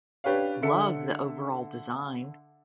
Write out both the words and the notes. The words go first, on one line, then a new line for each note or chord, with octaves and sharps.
Love the overall design!
C#4 D4 G4 B4 C#5 F5
D3 A4 E5 C#7